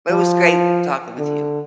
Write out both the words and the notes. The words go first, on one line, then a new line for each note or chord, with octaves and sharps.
but it was great talking with you.
F3
D3